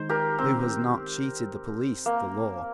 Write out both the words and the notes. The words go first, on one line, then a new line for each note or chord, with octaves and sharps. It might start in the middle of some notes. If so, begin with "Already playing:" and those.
Who has not cheated the police, the law?
Already playing: D#3 G#3 D#4 C5
G4 A#4
C4
A#3